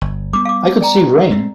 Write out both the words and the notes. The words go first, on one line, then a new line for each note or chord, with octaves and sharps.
I could see rain.
G1
G3 B3 D6
F5 D6
D5 G5 A#5
G#3 A3 C4